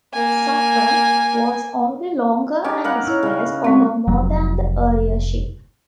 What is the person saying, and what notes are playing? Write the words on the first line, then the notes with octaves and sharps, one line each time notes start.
"Suffren" was only longer and displaced over more than the earlier ship.
A#3 G#5
C#4 D#4 G4
A#4 F5 F#5 B5
E4 C#5
C#3
G#3 C4 F#4
F1 F#3